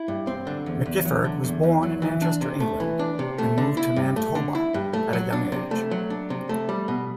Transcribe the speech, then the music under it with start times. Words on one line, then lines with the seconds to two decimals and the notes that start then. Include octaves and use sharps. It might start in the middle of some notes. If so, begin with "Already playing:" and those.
McGifford was born in Manchester, England, and moved to Manitoba at a young age.
Already playing: E4
0.08 G2
0.27 C4
0.47 D3
0.66 E2
0.86 E2
1.05 F#3
1.25 D3
1.44 E2
1.63 E2
1.83 F#3
2.02 E3
2.22 D4
2.41 C3
2.60 A3
2.80 E3
2.99 D4
3.19 C3
3.38 A3
3.58 D3
3.77 E4
3.96 G2
4.16 A3
4.35 D3
4.55 E4
4.74 G2
4.93 A3
5.13 F#3
5.33 D4
5.52 C3
5.71 A3
5.91 F#3
6.10 D4
6.30 C3
6.49 A3
6.69 G3
6.88 B2